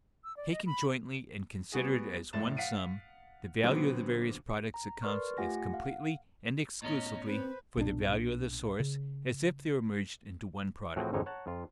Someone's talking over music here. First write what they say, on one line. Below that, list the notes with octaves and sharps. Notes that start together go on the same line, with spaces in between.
Taken jointly and considered as one sum, the value of the various products accounts as completely and exclusively for the value of the source as if they were merged into one product.
E6
D5
D#5
B5
G3 B3 F#4 G#4
F1 A2 A6 E7
F5 F#5 B6 C7 D7 D#7
A#2 D3 F#3 B3 C4
A#5
A#4 B4 D5 C6 C#6 F6
A3 F4 G4 F#5 G#5 A#6
F5 F#5
A2 B3 C#4 D#5 A#5
C4 B4 C5
B1 A#2 G3 D4
C#3
A2 E3 F3 C4 F#4 G#4
G#1 F2 G#2 D3 D#4 C#5
C#5 F#5 A5 A#5
F2 F4